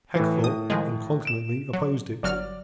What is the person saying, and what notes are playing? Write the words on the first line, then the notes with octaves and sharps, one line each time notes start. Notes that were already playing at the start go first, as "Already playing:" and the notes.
Hagthorpe incontinently opposed it.
A2 E3
A2 D#6
D#3 F3 G#3
D7 E7
F#3
G1 F#3 D5 F6